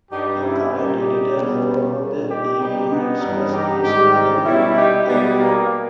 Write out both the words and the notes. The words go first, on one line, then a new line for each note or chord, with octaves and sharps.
The current editor for the Evening Express is Alan McCabe.
G2 G3 D#4 G4
C#4 E4
A#2 G3 D#4 G4
B2 G3
A#2 G3
D#4 G4
B2 G3 D#4 G4
B3 D#4
G2 E3 G3
D#4 G4
G#2 D#3 G3 D#4 G4
D#4 G4
B2 G3 C#4 E4
D#4 G4
B2 G3 G#3 B3
A#3